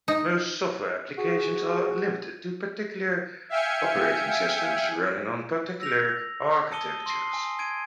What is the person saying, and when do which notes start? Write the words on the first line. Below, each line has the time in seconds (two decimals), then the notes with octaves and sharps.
Most software applications are limited to particular operating systems running on particular architectures.
0.08 D#4
1.18 F#4 G#4
3.49 E5 F5 G5 G#5 C#7
5.80 E6 A#6 F7
6.72 A5 D#6 C#7 D#7 G7
7.06 C6 C7
7.30 G#5 D#6
7.59 G#6 D7 D#7